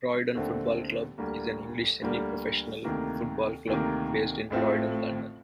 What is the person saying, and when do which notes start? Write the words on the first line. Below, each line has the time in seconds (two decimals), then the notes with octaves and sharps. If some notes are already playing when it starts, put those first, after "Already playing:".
Croydon Football Club is an English semi-professional football club based in Croydon, London.
0.35 D#2 D3 A3 C4
1.18 D2 D3 G3 A#3
2.02 D2 D3 G3 A#3
2.84 D2 C3 D#3 A#3
3.67 D2 C3 D#3 A#3
4.50 A1 A2 A3 C4 F4